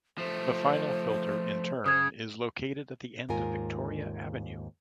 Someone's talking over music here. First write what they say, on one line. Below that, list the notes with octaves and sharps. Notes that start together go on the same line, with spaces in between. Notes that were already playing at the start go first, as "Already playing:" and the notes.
The final filter in turn is located at the end of Victoria Avenue.
F3 A3 C5
C#3 D#6 G#6
D#2 G#2 F4 A#4 G#5